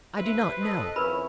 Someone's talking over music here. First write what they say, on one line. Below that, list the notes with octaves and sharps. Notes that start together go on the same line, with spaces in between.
"I do not know."
G2 B4 C5 E5
A4 D#5
F2 C#4 E4 A#4 B4 B5